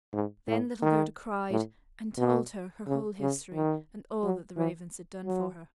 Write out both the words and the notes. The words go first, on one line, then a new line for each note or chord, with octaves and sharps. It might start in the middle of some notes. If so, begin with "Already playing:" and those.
Then little Gerda cried, and told her her whole history, and all that the Ravens had done for her.
G#2
A2
D#3
A2
B2
C#3
C#3
D#3
F#3
E3
F#3